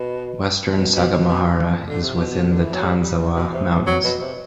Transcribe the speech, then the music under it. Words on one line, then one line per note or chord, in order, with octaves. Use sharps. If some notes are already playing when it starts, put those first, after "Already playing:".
Western Sagamihara is within the Tanzawa Mountains.
Already playing: B2
C3
B2
B2
B2
B2
D3
C3
B2
D3
E3
F#3
G3
G3
E3
B2
C3
E3
F#3
B2
C3